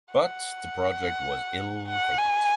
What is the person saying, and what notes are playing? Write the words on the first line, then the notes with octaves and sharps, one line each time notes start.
But the project was ill-fated.
F#5
F#5
G#5